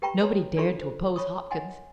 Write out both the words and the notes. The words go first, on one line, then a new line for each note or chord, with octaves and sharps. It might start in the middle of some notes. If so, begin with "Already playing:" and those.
Nobody dared to oppose Hopkins.
G4 B4 G5 A#5 B5 C#6
B4 C#5 A#5 C6
D4 F4 A4 D5 C6 C#6
C5
C#5 B5 C#6 D#6
D#5 F#5 G#5 C6